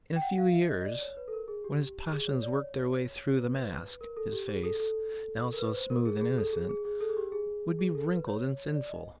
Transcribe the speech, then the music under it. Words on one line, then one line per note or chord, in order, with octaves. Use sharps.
In a few years, when his passions worked their way through the mask, his face, now so smooth and innocent, would be wrinkled and sinful.
G5
F#5
F5
E5
D#5
D#5
D5
C#5
B4
A4
A#4
G#4
G4
G#4
C#5
D5
C#5
B4
A#4
A4
G4
G#4
A4
A4
A#4
B4
C5
A#4
G#4
G#4
A4
G#4
G#4
G#4
A4
G#4
G4
G#4
G#4
A4
B4
C#5
D5
D#5